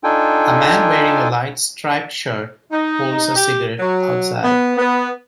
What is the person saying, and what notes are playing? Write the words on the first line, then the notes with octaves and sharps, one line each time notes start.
A man wearing a light striped shirt holds a cigarette outside.
D4 D#4 F4 A4 G5 G#5
D#4
G4
F#3
B3
B3